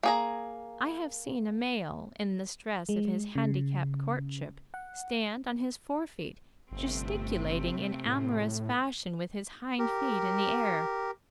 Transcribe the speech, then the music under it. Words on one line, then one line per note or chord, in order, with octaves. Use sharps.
I have seen a male, in the stress of his handicap courtship, stand on his fore-feet, gesticulating in amorous fashion with his hind feet in the air.
A#3 G#4 A#5
G#3
C#3
F#5
G1 C3 A3 C4
A2
G4 A#4